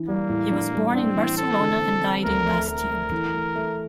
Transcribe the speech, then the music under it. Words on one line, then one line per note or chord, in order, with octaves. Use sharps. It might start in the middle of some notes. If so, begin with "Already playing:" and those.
He was born in Barcelona and died in Bastia.
Already playing: E3 D4
G3 A#3
A2
D4
G3
C4 D4
E3
C4 A4
D3
C4
C4
D2 A#4
A3
A3 A#4
A3
E3
A3
A3